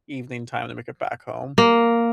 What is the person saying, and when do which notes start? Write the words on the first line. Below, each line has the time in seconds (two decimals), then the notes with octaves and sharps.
evening time to make it back home,
1.58 A#3